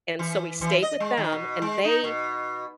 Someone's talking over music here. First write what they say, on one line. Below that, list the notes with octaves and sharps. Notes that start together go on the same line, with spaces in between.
and so we stayed with them and they
E3
E3
D#5
G#3
D#3
B2
G#3
D#4
B2